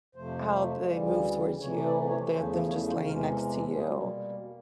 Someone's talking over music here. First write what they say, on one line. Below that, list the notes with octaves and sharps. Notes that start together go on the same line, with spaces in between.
how they move towards you, their them just laying next to you,
F2 C3 F3 A3 C5
D2 C#3 E3 G3
C3 E3 A3 C#5
D5
C#5
E2 C#3 F3 A3 C5
C#5
C5
E2 C3 E3 G#3 A#4
A4
A4
B2 G3 A#3 G#4